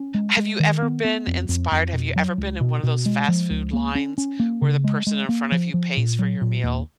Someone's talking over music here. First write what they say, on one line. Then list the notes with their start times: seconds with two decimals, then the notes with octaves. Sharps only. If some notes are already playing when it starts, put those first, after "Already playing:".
Have you ever been inspired have you ever been in one of those fast food lines where the person in front of you pays for your meal,
Already playing: C#4
0.14 G#3
0.37 G#3
0.60 D#3
0.82 B3
1.05 B3
1.27 F2
1.49 F2
1.72 F2
1.93 B2
2.16 F#3
2.38 C#2
2.61 B2
2.83 B2
3.06 G#3
3.28 F3
3.50 C#2
3.73 A#3
3.95 C#4
4.18 C#4
4.40 A#3
4.62 C#3
4.84 G#3
5.07 G#3
5.29 A#3
5.52 F3
5.74 F3
5.97 A#2
6.19 F#3
6.41 A#2
6.64 D#2